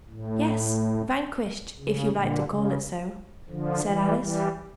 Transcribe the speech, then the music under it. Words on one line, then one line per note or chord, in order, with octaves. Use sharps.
"Yes, vanquished; if you like to call it so," said Alice.
A2
C#3
A#2 D3
C#3
D3 F3
E3 G3
E3 G3